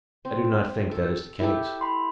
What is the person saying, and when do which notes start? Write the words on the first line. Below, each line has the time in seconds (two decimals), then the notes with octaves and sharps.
"I do not think that is the case."
0.25 C4
0.91 A4
1.39 E4 G4 A4
1.81 B5 C6